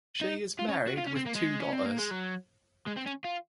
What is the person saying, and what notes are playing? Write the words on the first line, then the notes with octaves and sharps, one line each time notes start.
She is married with two daughters.
D#4
F4
C#4
F#4
F4
C#4
C4
A#3
G#3
C#4
C4
A#3
G#3
F#3
G#3
C4
C#4
F4